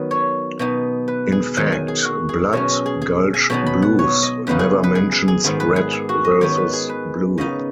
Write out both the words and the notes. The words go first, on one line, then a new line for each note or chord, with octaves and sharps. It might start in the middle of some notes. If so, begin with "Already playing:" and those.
In fact, "Blood Gulch Blues" never mentions Red versus Blue.
Already playing: D#3 F#3 B3 D#4
C#5
B2 B3 D#4
B4
G#4
D#3 F#3 D#4
G#5
G#4
F#4
G#4
B2 F#3 C#4 C#5
D#5
G#4
G#4
G#5
B2 F#3 B3 D#4 B5
B5
F#5
C#5
D#5
F#2 C#3 B3 D#4 B4
G#4
B4
G#4
G#4
G#4
G#2 D#3 B3 G#4
B4
G#4
G#4
F#4
D#5
D#3 B3 D#4 C#5
B4
G#4
B4
C#3 B3 D#4 D#5